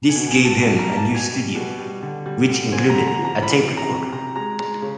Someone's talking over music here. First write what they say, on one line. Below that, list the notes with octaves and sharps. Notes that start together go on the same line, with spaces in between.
This gave him a new studio, which included a tape recorder.
G#5
B2
G#5
B2
A5
G3 A5
A#5
A#3
A5
B2
G#5
G3
B2
G3
D3
G3
D3
C4 G#5
A#5
D3
A#5
F3
A#5
E3 B5
C3
A#5
C3
C3 A#5
G#3 A#5
G#3 A#5
C#3